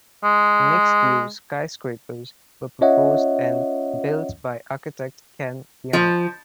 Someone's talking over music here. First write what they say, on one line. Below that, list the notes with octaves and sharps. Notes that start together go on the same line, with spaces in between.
Mixed-use skyscrapers were proposed and built by architect Ken Yeang.
G#3
C#4 F4 C#5 D#5 E5 F#5
F3